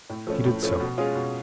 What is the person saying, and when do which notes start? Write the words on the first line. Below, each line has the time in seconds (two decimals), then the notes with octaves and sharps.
He did so.
0.10 A2
0.27 F3 A3 C#4
0.45 A2
0.63 F3 A3 C#4
0.80 B2
0.98 G#3 C#4 F4 G#4
1.15 B2